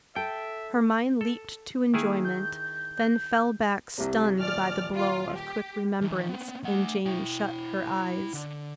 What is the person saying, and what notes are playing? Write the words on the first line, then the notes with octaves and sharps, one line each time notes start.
Her mind leaped to enjoyment, then fell back stunned by the blow of quick remembrance, and Jane shut her eyes.
A4 E5 G5
A4
D#3 A#3 E4 G#4
G6
C2 C3
D#1 D5 F6
F4
G4
E3 D#4
B3 C4
A3 F#5
E4 G5
D3